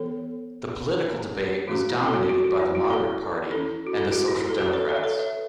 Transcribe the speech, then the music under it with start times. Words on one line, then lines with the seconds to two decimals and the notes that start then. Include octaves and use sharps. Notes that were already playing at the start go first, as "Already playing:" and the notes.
The political debate was dominated by the Moderate Party and the Social Democrats.
Already playing: E3 B3 A4 C#5
1.67 E3 A3 C#4 F#4
1.90 E4
2.07 A4
2.14 F#4
2.29 F#4
2.44 F#4
2.60 E4
2.75 F#4
2.90 E4 A4
3.51 E3 C#4 E4 A4
3.87 F#4
3.96 E4 A4
4.12 F#4
4.28 E4
4.49 A4
4.58 F#4 B4
4.73 A4 C#5
4.88 B4 E5
5.03 A4 C#5
5.19 B4 E5